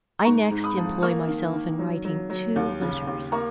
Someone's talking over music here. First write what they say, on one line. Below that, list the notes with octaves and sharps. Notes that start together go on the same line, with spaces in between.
I next employ myself in writing two letters.
G#2 A#5 C#6
G#2
B5 D#6
F3
A#3 C#6 F6
D#3
D#3
F#3
F#3
F#3
D#2
C#3
D#2
A#3 A#5 C#6